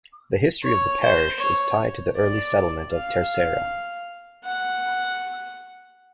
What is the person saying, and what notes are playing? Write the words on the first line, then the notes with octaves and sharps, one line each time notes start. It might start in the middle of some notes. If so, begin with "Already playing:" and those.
The history of the parish is tied to the early settlement of Terceira.
C#5
C5
C#5
D5
F5
F#5